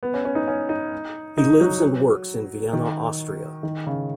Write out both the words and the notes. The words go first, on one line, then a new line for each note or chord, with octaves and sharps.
He lives and works in Vienna, Austria.
B3
C#4
C#4
D#4
C#4
D#4
D#4
F#3
D#3
D#3
C#3